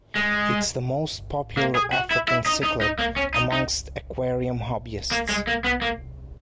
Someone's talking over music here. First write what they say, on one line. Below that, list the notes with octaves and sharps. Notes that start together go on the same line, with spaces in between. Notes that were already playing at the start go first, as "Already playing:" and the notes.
It is the most popular African cichlid amongst aquarium hobbyists.
G#3
A#3
G#4
F#4
E4
E4
D#4
D#4
D#4
A#3
C#4
D#4
D#4
A#3
G#3
A#3
B3
A#3